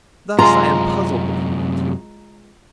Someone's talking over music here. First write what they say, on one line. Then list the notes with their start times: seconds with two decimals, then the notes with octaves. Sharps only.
Thus I am puzzled between the two.
0.39 F#2 C3 G#3 F4 A#5